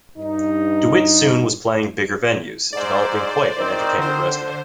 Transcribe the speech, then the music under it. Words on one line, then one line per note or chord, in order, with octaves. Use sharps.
DeWitt soon was playing bigger venues, developing quite an entertainment resume.
G2 D#4
G#2 C5 D5
D#3 C4
D3 C5